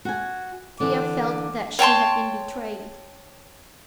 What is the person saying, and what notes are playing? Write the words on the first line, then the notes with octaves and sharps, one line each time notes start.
Thea felt that she had been betrayed.
F#4 G#5
D3 E3 D6
C#5 G5 A5 C6